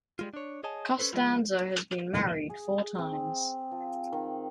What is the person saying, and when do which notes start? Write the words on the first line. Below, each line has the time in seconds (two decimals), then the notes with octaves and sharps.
Costanzo has been married four times.
0.19 G3 G#3 F4
0.34 D4 C#5
0.63 G#4 C#5 D#5 G#5 A5
0.99 C#4 D4 A4 B4 C5
1.13 F3 G#3 B3 E4 F4
2.50 G#4
2.98 C4
3.72 F3
4.13 D#3